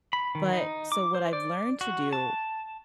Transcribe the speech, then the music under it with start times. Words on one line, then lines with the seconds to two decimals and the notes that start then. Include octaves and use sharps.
But, so what I've learned to do,
0.13 B5
0.35 D#3
0.53 D#4
0.92 D6
1.15 C5
1.33 D5
1.81 F#4
2.13 A5